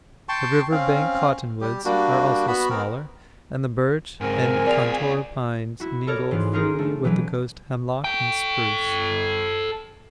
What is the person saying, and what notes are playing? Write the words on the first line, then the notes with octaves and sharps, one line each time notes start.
The river-bank cottonwoods are also smaller, and the birch and contorta pines mingle freely with the coast hemlock and spruce.
G5 A5 C6 C#6
C4 C#4 F5
G3 G4
G3 A#3 D4 F#4
B3 F#4 B5
B3 C4 A#4
C#2 G#2 C4 A#4 G#5
F4 G#4 D5 F7
E4 F#4
A4 A#4 C#5 D5
G#2 E3 B3 F4
A#3 C#4 D#4 F4 G#4 A#4
A3
B2 E3 F#3 B4
A4 G5